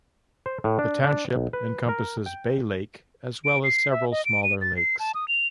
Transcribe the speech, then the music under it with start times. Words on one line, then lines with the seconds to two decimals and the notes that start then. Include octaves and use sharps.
The township encompasses Bay Lake as well as several smaller lakes.
0.46 C5
0.64 A2
0.79 D4
1.04 D4
1.36 B1
1.53 B4
1.89 A#4
2.26 G5
3.45 D7
3.64 C7
3.91 E5
4.11 D#5
4.25 D7
4.44 D#7
4.61 A6
4.77 C7
4.99 A5
5.15 D#6
5.28 F7